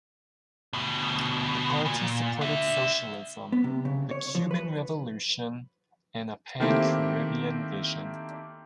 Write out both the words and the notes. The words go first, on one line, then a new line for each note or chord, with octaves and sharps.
The party supported socialism, the Cuban Revolution, and a pan-Caribbean vision.
D2 B2
A#2
D4 E5
B3
C3
C#3
C#5
F3
B4
D#3 A3 A#3 C4 E4 G4